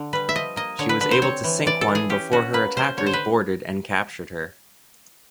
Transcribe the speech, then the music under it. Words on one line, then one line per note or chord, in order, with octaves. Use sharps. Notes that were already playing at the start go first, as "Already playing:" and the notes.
She was able to sink one before her attackers boarded and captured her.
Already playing: D3
G3 B4
E5
F3 D#5
A#3 D#5
D3 C#5
B4
D3 B4
C5
C4 C#5
E3
E3 D5
A4
E3
G#4
C#4 G4
C#4 F#4
A#3 B4
C#4 C5
D3 C#5
C5
B4